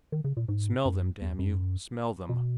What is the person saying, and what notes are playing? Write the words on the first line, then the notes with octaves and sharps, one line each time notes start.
Smell them, damn you, smell them.
D#3
C#3
A#2
G#2
F#2
E2
F#2
B2